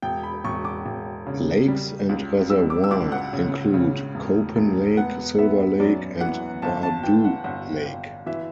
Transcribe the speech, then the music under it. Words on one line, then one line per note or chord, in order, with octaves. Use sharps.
Lakes and reservoirs include Copan Lake, Silver Lake and Bar-Dew Lake.
E1 G5
B5
E1 C#6
D6
E1
C#3
G3
C#2
G3 E6
D6
E6
C#2 D6
F#5
C#3
C#3
E1
E1
B3 F#5
B3 E5
F#2 D5
E3 F#5
G1 A5
A5
E3 G5
F#5
G1 F#5
G1
E3 E5